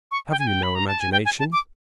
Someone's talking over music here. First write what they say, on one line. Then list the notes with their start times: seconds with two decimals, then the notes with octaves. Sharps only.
Have you no imagination?
0.11 C#6
0.31 G5
0.39 G#5
0.47 G5
0.63 B5
0.75 A#5
0.87 A5
1.00 G#5
1.12 G5
1.25 G#5
1.39 A5
1.52 D6